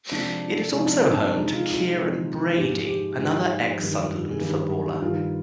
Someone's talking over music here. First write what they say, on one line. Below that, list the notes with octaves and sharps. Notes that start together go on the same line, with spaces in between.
It is also home to Kieron Brady, another ex-Sunderland footballer.
C3 F3 G#3 D4
C3 F3 G#3 D#4
D4
C4
D4
C3 F3 G#3 D#4
F4
F4
C3 F3 G#3
G#2 F3 G#3 G4
G4
G#2 F3 G#3
G2 D#3 G3
G#4
G2 D#3 G3 G4
G2 D#3 G3 F4